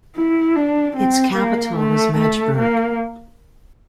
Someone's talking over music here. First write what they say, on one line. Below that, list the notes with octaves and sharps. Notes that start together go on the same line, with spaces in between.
Its capital was Magdeburg.
E4
D4
C4
A#3
A3
A3
A#3